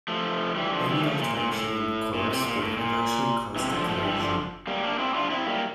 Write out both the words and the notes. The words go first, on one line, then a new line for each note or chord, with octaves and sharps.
Any alteration in course would have actually caused a collision.
F3 A3
E3 G3
D3 F3
E3 G3
F3 A3
A#2
A#2
A2
A#2
C3
A#2
A2
A#2
C3 E3
D3 F3
F3 A3
A3
E3 G3
D3 F3
G3 A#3
A#3 D4
C4 E4
D4 F4
C4 E4
G3 A#3